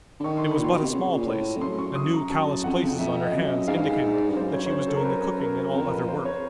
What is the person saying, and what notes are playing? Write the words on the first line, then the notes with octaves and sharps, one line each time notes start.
It was but a small place, and new callous places on her hands indicated that she was doing the cooking and all other work.
D3
D#3 C#6
C6
B5
A#2 C6
B2
C3
C#3
A#2
A2
F2
F#2 C6
C#6
D#6
A#5
F#2 A5
F2 F#5
F#2
F2
F2 E5
D#5
F#2
E5
G#2 F5
G2
G#2
E5
D5
G2
F#2 C5
C#5
C#5
C5
A4
A#4
F2
F#2 B4
A#4
F#2
F2 A#4
B4
C5
C#5